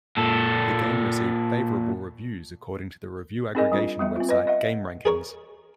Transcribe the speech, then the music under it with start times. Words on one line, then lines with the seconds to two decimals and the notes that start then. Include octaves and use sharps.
The game received "favorable" reviews according to the review aggregation website GameRankings.
0.17 A#2 A4
3.55 C4 D#4 G#4 A#4 D#5 G#5
3.72 G3 D4 F4
3.99 G3 B3 E5
4.16 C4 F4
4.29 B4 D#5
4.47 D#5 E5 F#5
5.05 G#4 A#4 C#5